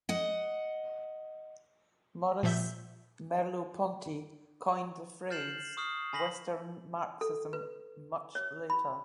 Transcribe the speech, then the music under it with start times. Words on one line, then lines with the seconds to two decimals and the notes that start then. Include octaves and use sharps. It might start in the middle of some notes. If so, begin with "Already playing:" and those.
Maurice Merleau-Ponty coined the phrase "Western Marxism" much later.
0.09 D#5 F#5
2.43 A#2 F3 E5 G6
5.30 F6 G6 A6 C7 E7 F#7
5.77 C#6 D#6 F6 C7
6.13 G#5 B5 A#6 B6 F#7
7.21 A4
7.53 B4
8.35 C#5
8.70 B5